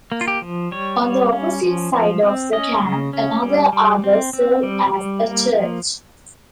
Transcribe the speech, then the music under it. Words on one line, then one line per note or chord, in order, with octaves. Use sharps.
On the opposite side of the camp, another arbor served as a church.
A#3
F4
G4
F3
G3 C#5
G3
C#4
F3
F3
C4
C#4 D#5
C#3
C#4
G3
G3
C4
C4
G3
G3
A#3
F3